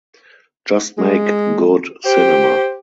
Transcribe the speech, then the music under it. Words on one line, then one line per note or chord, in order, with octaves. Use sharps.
Just make good cinema.
G#3
G4 C5